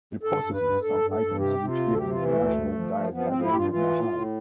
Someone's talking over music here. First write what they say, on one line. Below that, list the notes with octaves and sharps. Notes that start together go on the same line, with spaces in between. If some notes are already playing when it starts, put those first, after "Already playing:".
It possesses some items which even the National Diet Library does not have.
G2 A4
G2
B4
G2
G2 A4
G2
A4
G2
C3 G4
C3
F4
D2
A4
C3 G4
E3 F4
A3
D2
A3
G2
F3
F3
F3 B3
C4
F3
E4
G2 F4 G4
E3 F4
A2
A2